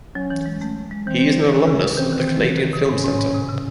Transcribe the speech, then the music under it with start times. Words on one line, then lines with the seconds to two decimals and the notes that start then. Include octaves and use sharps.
He is an alumnus of the Canadian Film Centre.
0.15 F#3 C#4
0.30 E3
0.46 G#3
0.61 A3
0.91 G#3
1.07 E3 C4
1.43 E3
1.52 D#3 C#4
1.67 C#3
1.83 C3
1.97 E3 C4
2.13 D#3
2.27 E3
2.36 F#3
2.43 E3
2.58 D#3
2.73 C3
2.89 G#2 C#4
3.04 A2
3.19 G#2
3.35 C3
3.49 C#3